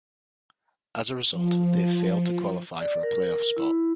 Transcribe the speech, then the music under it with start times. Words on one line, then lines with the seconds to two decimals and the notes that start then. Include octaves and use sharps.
As a result, they failed to qualify for a playoff spot.
1.32 F3
2.80 D5
3.03 A#4
3.57 E4